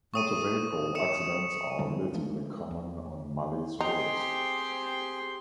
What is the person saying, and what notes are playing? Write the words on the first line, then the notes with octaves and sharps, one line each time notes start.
Motor vehicle accidents are relatively common on Mali's roads.
C#6 D#6 D#7
D#6 C#7 E7
F2 D3 G3
E3 F3 G#3 A3
E2
C4 D#4 G4 G#4 G5 C6